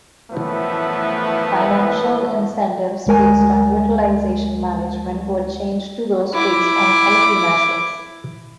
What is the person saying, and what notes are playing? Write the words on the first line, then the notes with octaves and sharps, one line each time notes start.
Financial incentives based on utilization management were changed to those based on quality measures.
F#2 A2 E3 F3 A3 B3
D2 G#3 A#4 G#5
E4 D6